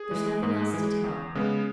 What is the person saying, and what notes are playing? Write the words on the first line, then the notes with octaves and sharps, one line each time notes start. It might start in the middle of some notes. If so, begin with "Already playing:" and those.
There's nothing else to tell.
Already playing: G#4
E3 G#3
G#2
E3 G#3
E2
C#3 G#3 B3